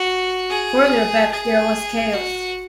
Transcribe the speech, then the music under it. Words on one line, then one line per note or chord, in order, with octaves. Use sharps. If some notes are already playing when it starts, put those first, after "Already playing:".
Further back there was chaos.
Already playing: F#4
G#4
G#4
F#4